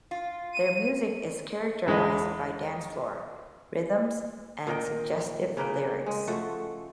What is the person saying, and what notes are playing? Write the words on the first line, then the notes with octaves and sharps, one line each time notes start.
Their music is characterized by dancefloor rhythms and suggestive lyrics.
F4
D#7
E2 G#3 D#5 B5
A#2 D#3 D#5 G5
C#3 A#3 B4 G5
G#3
F3 A3 F#4